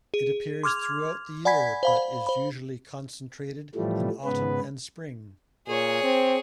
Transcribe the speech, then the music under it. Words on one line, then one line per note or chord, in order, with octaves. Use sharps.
It appears throughout the year but is usually concentrated in autumn and spring.
G#4
C6 D6 F6 G#6 F7
D5 F#5 G#5 B5 G#6 B6
C5 F5 B5
C5 B5
A2 E3 F3 G3 A3
G#2 C#3 B3 B4
A#2 G#4 C#5
C4